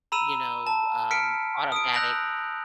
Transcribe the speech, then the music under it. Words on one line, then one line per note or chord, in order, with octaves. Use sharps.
you know, um, automatic
A#5 B5 E6 D#7 E7
A5
F6 B6 C#7 D7
D#6 D7
E6 F#6 G6 A#6 F7 F#7